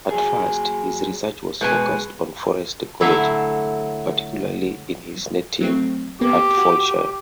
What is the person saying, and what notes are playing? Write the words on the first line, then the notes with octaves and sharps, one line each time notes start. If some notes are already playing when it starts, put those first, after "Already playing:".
At first, his research was focussed on forest ecology, particularly in his native Hertfordshire.
F#3 G#4
B2 G#3 B4 G#5
D3 F#3 A3 E4 E5 F5
F#3 A3 C4
A#3 B3 G4
F#4 D6